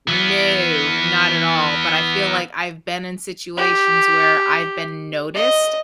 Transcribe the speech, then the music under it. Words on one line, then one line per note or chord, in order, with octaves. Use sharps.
No, not at all, but I feel like I've been in situations where I've been noticed,
E3 B3
G4
D#5